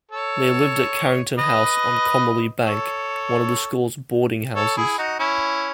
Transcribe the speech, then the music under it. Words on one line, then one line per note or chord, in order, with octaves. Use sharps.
They lived at Carrington House on Comely Bank, one of the school's boarding houses.
A4 C#5
B4 D#5
A4 C#5
A4 C#5
E4 G#4
D#4 F#4
C#4 E4